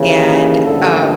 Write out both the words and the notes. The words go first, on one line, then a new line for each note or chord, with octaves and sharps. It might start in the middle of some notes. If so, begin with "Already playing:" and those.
And, uh
Already playing: D#2 C#3 E3
A1 G2 D3 F3 A#3 A4